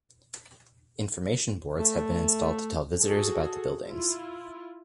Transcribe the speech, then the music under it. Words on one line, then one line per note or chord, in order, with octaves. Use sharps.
Information boards have been installed to tell visitors about the buildings.
A3
F#4 G#4 A4
E4 F4